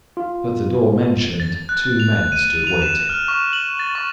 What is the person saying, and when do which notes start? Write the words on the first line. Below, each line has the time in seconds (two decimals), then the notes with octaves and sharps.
At the door mentioned two men stood waiting.
0.17 F4
1.40 A6
1.69 F#6
2.00 F7
2.32 D#7
2.67 F7
2.82 E7
3.09 F6
3.28 C#6
3.53 F#7
3.79 A6
3.95 C#6